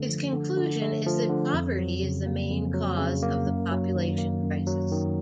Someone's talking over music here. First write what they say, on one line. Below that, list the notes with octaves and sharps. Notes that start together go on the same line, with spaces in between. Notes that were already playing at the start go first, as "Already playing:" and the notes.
His conclusion is that poverty is the main cause of the population crisis.
Already playing: D3 A3
F3
D3
D3
A3
F3
D3
F2
F#3
C#3
A#3
F2
F#3
C#3
A#3
F#2
F#3
D#3
A#3
F#2
F#3
D#3